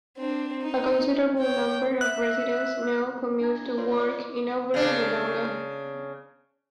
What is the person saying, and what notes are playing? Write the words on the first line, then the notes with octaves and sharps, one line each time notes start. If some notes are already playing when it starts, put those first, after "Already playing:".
A considerable number of residents now commute to work in Albury-Wodonga.
C4 D4
D#4
C#5 G5
E5 F#6
D4 E4 A#5 G#6
F4 B4 C#5 D5 C6
D5 D#5 D6
C#3 D4